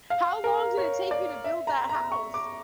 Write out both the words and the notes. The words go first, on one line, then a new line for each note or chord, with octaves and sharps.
How long did it take you to build that house?
F5
A#4
C#5
D5
E5
A#5
A#5
C#6
D6